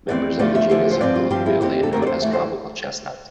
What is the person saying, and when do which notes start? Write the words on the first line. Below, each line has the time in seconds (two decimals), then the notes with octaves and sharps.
Members of the genus are colloquially known as tropical chestnuts.
0.09 F2 E3 A3 C4 D5
0.39 E2 D3 F3 A3 D5
0.55 E5
0.69 E2 D3 F3 A3
0.91 C5
1.01 G2 F3 C4 D5
1.16 F4
1.30 G2 F3 C4 G4
1.46 E4
1.61 F2 D3 A3 C4 G4
1.83 A4
1.92 F2 D3 A3 C4 A#4
2.02 D5
2.07 C5
2.22 F2 E3 A3 E5
2.33 C5